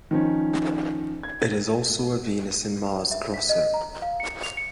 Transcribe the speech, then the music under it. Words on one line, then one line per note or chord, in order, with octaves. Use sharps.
It is also a Venus and Mars-crosser.
D#3 F3 C#4
G#6
E5
B6
D#5
A#5
F5
C#7
F7
C#7